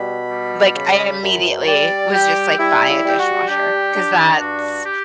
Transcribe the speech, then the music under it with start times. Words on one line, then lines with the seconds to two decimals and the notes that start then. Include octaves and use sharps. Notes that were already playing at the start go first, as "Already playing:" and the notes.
like, I immediately was just like, "Buy a dishwasher." 'Cause that's
Already playing: B2 G3 B5
0.30 G3
0.76 C#3
1.20 F#2
1.66 G3 D5
2.12 G3 G4
2.58 G3 E4
2.88 E4
3.03 G3
3.08 G4
3.18 F#4
3.48 D4 G4
3.94 D4
4.39 G2 F#4
4.85 G4